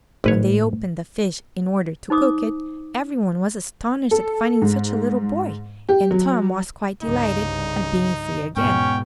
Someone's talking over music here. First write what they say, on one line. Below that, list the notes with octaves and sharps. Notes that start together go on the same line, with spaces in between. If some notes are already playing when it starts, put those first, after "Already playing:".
When they opened the fish in order to cook it, everyone was astonished at finding such a little boy, and Tom was quite delighted at being free again.
G#1 A2 B4 C#5
D#4 C5 D6 D#6
A4
G#2
G4
F#3
C2 G2 C#3 D#4
E2 G#2 B2 B3 C#4 G5